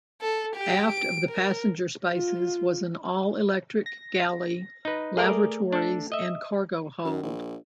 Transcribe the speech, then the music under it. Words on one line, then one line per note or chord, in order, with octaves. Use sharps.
Aft of the passenger spaces was an all-electric galley, lavatories, and cargo hold.
A4
G4 G5
D7
A#4
F4
A#6
D#4 B4
A3 G#4 A#4 D5
D4 A4
D#5 E5
F#2
A#1